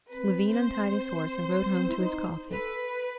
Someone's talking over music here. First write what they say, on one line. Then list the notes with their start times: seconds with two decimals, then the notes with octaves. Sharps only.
Levin untied his horse and rode home to his coffee.
0.10 C4 B4
0.50 C5
1.69 C4
1.88 E4
1.97 D#4
2.49 A4 B4